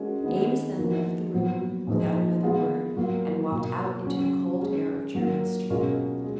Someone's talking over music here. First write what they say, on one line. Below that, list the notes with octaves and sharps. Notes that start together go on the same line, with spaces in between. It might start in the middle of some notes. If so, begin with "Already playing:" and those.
Eames then left the room without another word, and walked out into the cold air of Jermyn Street.
Already playing: G#3 C#4 F#4 A#4
D#3 G#3 B3
F3 A#3 D#4 F#4 A#4
A#2 F#3 B3 F#4
A#2 F3 G#3 D#4
G#3 B3 F4 G#4
F#3 A#3 F4 A#4
B2 A#3 F4
C#3 F#3 C#4
G#3 C#4 G#4
F#3 A#3 F4 A#4
B2 G#3 C#4 F4 A#4
G#3